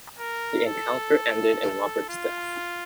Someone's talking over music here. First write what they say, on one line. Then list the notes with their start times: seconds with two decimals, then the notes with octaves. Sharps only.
The encounter ended in Roberts' death.
0.19 A#4
0.66 A4
2.09 F4